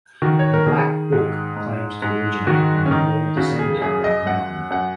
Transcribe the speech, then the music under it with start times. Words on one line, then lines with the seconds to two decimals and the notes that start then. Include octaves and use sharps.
The "Black Book" claims to originate when the Lord descended Black Mountain.
0.22 D#3 F#4
0.39 C#5
0.54 A#4
0.67 D#3 G#4
1.12 G#2
1.56 G#2
2.02 G#2
2.47 D#3 F#4
2.86 C#4
2.91 D#3 D#4
3.37 C#3 F#4
3.59 G#4
3.82 F#2 G#4
4.04 D#5
4.26 F#2 F#5
4.71 F#2 F#5